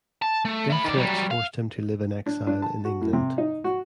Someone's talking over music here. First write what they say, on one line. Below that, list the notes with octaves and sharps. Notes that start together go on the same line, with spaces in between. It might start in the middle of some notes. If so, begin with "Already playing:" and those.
Death threats forced him to live in exile in England.
A5
A3
A3 B5
D#3 D5
F#3 G3
F5
D4
D4
A5
F#4
A2
C3
D#4
F#4